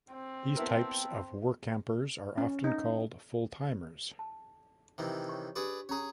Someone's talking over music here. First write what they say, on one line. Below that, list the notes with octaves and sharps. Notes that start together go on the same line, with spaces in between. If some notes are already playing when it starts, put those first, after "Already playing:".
These types of Workampers are often called Fulltimers.
C4
B3 E4 A#4 G5 A5 E6
C#4
D#4
A5
C3 D#3 E3
C#5 C#6
D4 G4 G#4 B4 D5
C#4 G#4 C#5 A#5